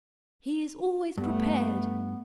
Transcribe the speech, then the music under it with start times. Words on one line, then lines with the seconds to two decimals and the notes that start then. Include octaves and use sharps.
'He is always prepared!
1.18 G2 A3 B3